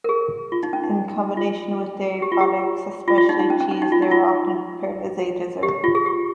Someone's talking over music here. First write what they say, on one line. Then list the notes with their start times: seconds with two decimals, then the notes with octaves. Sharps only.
In combination with dairy products especially cheese, they are often prepared as a dessert.
0.04 A#4
0.09 G#4
0.52 F4
0.63 D#4
0.73 C#4
0.83 D#4
1.37 F4
2.22 G4
2.32 F4
2.41 G4
3.08 F4
3.18 F4
3.29 D#4
3.39 D#4
3.50 C#4
3.61 C#4
3.71 C#4
3.82 D#4
3.92 F4
4.02 D#4
4.11 F4
5.63 G4
5.84 F4
5.95 G#4
6.06 G4